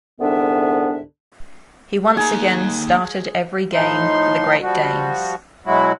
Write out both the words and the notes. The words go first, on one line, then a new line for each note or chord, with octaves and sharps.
He once again started every game for the Great Danes.
C2 G#2 D3 B3 D4 E5
A#3 D#4 G#4 A#5
A2 F3 D#4 C6
F3 G3 F#4
B2 F#3 G#3 E4 F#4